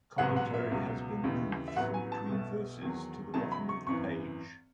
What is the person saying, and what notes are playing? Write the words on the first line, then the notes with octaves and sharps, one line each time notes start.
Commentary has been moved from between verses to the bottom of the page.
A1 G#2 F#3 B3 F#5
F#5
E5
C#2 B2 F#3
D#2 C#3 E3 A3 D#4
E5
A1 A2 F#3 B3 F#5
G#5
A5
B1 B2 A3
E2 D#3 F#3
E2 C#3 F#3 A3 D#4 A5
B5
C#6
G#1 F#2 E3 C#6